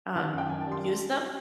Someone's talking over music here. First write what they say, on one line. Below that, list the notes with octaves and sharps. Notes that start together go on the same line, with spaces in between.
um, use them-
D#3 A5
F#2
G5
F#2 G#5
A5
G3
C6